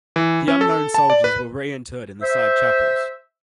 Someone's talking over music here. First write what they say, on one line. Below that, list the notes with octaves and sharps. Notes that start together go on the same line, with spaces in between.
The unknown soldiers were re-interred in the side chapels.
E3
C#4
A4
A5
D5
B4
C5 E5